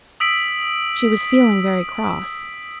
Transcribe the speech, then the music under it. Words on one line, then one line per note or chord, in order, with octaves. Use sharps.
She was feeling very cross.
D#6 E6 B6 D7 F#7